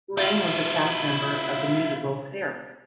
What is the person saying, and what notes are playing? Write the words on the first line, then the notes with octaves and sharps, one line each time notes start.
Lange was a cast member of the musical "Hair".
E4 F4